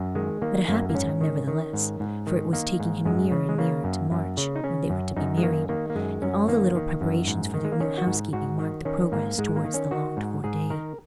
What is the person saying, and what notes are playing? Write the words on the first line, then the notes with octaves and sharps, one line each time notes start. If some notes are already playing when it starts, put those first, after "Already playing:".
But a happy time, nevertheless, for it was taking him nearer and nearer to March, when they were to be married, and all the little preparations for their new housekeeping marked the progress towards the longed-for day.
Already playing: F#2
D#3 G#3
D#3 A#3
F#2 A#3
A#3
G#2 C#4
D#3
D#3
G#2
G#2
D#3
D#3 A#3
G#2
F#2 G#3
C#3
G#3
C#3 A#3
F#2
F#2
C#3
D#4
C#3 C#4
F#2
F#2 D#4
G#3
D#3 A#3
D#3 A#3
A#3
F#2 G#3
F#2 C#4
D#3 A#3
D#3
F#2
G#2
D#3
G#3
A#3
D#3 C#4
F#4
G#2
G#2 F#4
D#3
D#3 C#4
G#2 A#3
G#2 G#3
A#3
D#3
C#4
D#3 F#4
G#2
G#2 G#4
D#3 A#4